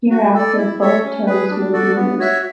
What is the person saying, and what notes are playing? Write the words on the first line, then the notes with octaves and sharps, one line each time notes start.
Hereafter, both terms may be used.
F#4
A4 D5
E4
A4 C#5 E5
C#4
G#4 B4
D4
F#4 A4 D5
B3
F#4 C#5 E5